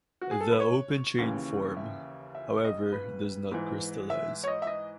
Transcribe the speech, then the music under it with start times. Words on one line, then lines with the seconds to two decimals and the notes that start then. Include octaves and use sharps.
The open-chain form, however, does not crystallize.
0.21 F#4
0.31 G#4
0.41 A4
0.51 B4
0.60 C#5
1.18 D#2 C#3 E3
1.77 E5
2.35 E5
2.64 D#5
2.92 B4
3.51 G#2 E3
4.10 E5
4.44 C#5
4.48 D#5
4.62 E5
4.67 D#5